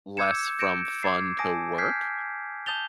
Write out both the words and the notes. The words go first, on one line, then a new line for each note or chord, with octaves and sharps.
less from fun to work,
D6 E6 G6 G#6 C#7 E7
G6 A#6 C#7 D7 E7
D6 G#6 A6 C7
G#5 A5 D#6 A#6 D7
F6 G6 G#6 B6 C7
A5 D#6 G6 A6 F7 G7